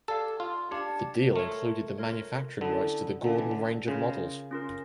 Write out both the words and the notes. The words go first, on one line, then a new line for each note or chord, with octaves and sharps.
The deal included the manufacturing rights to the Gordon range of models.
G4 A4 D5 F5 A5
F4
D4 G4 D5 F5 A5
A3 F4 A#4 C#5
F4 A#4 C#5
D3 C#4 E4 A4 D5 A5
D3 C#4 E4 A4 D5 A5
E3
D3
C#3 C#4 F4 A#4
C#4 F4 A#4